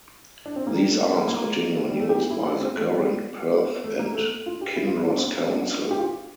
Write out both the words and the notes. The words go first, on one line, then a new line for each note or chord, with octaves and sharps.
These arms continue in use by the current Perth and Kinross Council.
D4
C4
A#3
G3
A3
A#3
A3
A#3
G3
A3
G4
E4
D4
C4
A3
G3
A3
A#3
A3
F4
G4
E4
F4
E4
D4
C4
A#3
C4
D4
D4
G4
F4